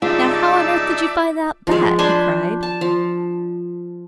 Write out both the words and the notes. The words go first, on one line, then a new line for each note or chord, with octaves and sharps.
'Now how on earth did you find out that?' he cried.
C#2 G2 D#4 F4 D5 E5 A5
F3 G#3
D4 C5 G#5 B5
A5
F3